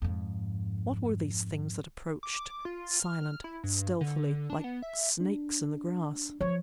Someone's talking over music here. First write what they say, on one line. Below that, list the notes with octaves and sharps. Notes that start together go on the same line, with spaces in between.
What were these things that approached, silently, stealthily--like snakes in the grass?
F2 G#2
D6
F4
F6
E4
G2
D3
D4
B3
E5
D4
F3 C#5